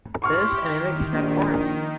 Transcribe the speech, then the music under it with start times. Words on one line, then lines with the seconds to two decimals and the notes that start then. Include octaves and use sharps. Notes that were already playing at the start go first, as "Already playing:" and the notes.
Thus, an 'image' is not formed.
0.22 E4 G4 C6 C#6 F6
0.60 D#3
1.12 A#1